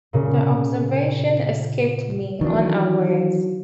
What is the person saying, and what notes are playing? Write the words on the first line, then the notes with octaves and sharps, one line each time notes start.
The observation escaped me unawares.
A#2 C#3
D#3 E3 F#3 D4